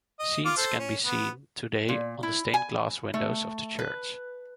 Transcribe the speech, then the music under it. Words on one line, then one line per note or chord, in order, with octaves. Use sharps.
Scenes can be seen today on the stained glass windows of the church.
D#5
F4 D6 F6
A4 C5
C#4
B3
A#2
E4
G#5
A3
B4